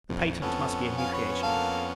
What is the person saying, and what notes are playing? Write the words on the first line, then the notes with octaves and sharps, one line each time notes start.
The patent must be a new creation.
A#1 F2
F2 B3 C#4 A4
F5 G#5
B4 C#5
A#3 A4 F5